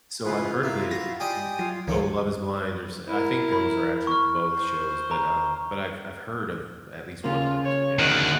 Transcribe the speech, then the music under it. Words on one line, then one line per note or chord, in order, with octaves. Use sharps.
So I've heard of it, y Oh, Love Is Blind or s I think those are actually both shows, but, um but I've I've heard of at least one of those, yes.
C#3 F3 E4 F4 G#4 B4
A#3 E4 E5 F5
F#4 A#6
G4 D5 D#5 G5 G#5 D#6
F#3 F4
C#2 G#2 D#3 F3 A3 A#3 D4 C#5
E4 A#4
B5
C#6 F6
C5
A#5
C#3 A#3 F4
C#5
D2 D#3 F#6